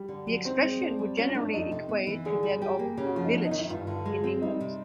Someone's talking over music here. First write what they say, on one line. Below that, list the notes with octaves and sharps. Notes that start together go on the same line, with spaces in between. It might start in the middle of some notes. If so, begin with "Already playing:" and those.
The expression would generally equate to that of "village" in England.
Already playing: G3
D3
F#3
C4 D#4
G#3
D4
G3
C#4 F4
D4
A3
D4
F2 D#4
C3
B3
E3
D3 G#4
G3
G4
A#3
C#3 G4
F#4
F3 F4
D#4
B3 D4
D#4
D#3
E4
G2 F4
D3
G#3
C4
G3 D#4
C3